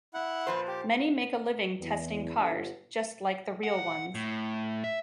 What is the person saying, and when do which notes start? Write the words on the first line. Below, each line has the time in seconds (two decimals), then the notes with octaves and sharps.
Many make a living testing cars, just like the real ones.
0.14 E4 F#5
0.47 A#2 F3 B4 C5
0.68 G4
1.80 E2
2.38 G1
3.64 F#5
4.15 A2
4.84 E5